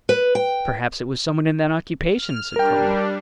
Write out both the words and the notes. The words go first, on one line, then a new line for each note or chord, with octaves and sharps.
"Perhaps it was some one in that occupation," said Cromwell.
B4
G5
F6
G3 D4 A#4 G5